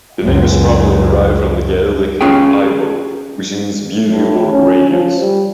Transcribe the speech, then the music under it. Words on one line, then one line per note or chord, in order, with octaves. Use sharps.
The name is probably derived from the Gaelic "aoibh", which means "beauty" or "radiance".
C#2 F#2
C#4 F4 G#4 G5
A2
C#4
F3
G3